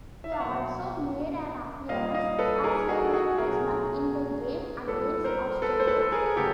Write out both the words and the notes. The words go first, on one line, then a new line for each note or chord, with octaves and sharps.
He also made an appearance as a replacement in the game against Australia.
E5
F5
B2 F#3 A#3 E5 F#5
A#2 G3 A#3 D#5 F5
D#5 F5
A4 B4
G#4 A#4
F#4 G#4
A4
F#4 G#4
B2 F#3 A3 G#4 A#4
A#2 G3 B3 A4 B4
A#4 C5
A4 B4
C5
A4 B4
A4
G#4 A#4
A#4
C#3 F#3 A3 G4 A4